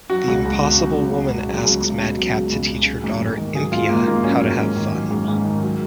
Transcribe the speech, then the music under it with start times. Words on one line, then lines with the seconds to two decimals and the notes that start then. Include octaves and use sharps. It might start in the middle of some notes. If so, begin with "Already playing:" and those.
The Impossible Woman asks Madcap to teach her daughter Impia how to have fun.
0.10 F#3 F#4
0.27 C#2
0.45 C#2
0.62 B2
0.79 F#3
0.96 C#2
1.13 C#2
1.30 B2
1.48 F#3
1.65 C#2
1.83 C#2
2.00 B2
2.17 F#3
2.34 C#2
2.52 C#2
2.68 B2
2.85 F#3
3.04 G#2
3.20 G#2
3.38 D#3
3.55 F#3 G#4
3.72 G#2 F4
3.89 G#2 A#3
4.07 D#3 A#3
4.24 F#3 C#4
4.42 G#2
4.59 G#2
4.77 D#3
4.93 F#3
5.11 G#2
5.28 G#2
5.45 D#3
5.62 F#3